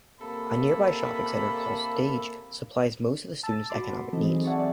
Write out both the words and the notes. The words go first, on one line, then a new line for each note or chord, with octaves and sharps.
A nearby shopping centre called "Stage" supplies most of the students' economic needs.
C3 A#3 A4 B5
A5 E6 A6
F#4 B5 C6 D6
D#3 E3 C4 A4 D#5
F#3 C4 G#4
D5 E5 F#5 G#5 A5 C#6
D5